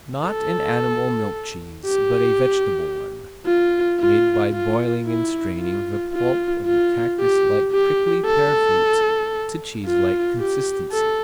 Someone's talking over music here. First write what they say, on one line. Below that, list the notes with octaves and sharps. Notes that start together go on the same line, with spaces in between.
Not an animal milk cheese, but a vegetable one, made by boiling and straining the pulp of the cactuslike prickly pear fruit to cheeselike consistency.
A4
G4
F4
F4
F4
E4
F4
F4
F4
G4
G4
A4
F4
G4
A4